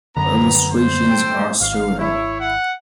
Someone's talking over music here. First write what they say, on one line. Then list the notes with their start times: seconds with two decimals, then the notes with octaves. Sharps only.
The illustrations are surreal.
0.16 F#2 D3 B3 A#5
0.73 C5
1.09 A4 G5
1.61 G#1 F5
1.99 E4 C#5
2.40 F#5